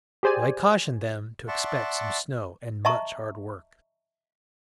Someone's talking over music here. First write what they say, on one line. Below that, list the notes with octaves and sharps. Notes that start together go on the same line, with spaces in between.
But I cautioned them to expect some snow and much hard work.
G4 G#4 C5 D5 G#5
D5 E5 F#5 A5 C6 C#6
D#5 E5 A5 A#5 C#6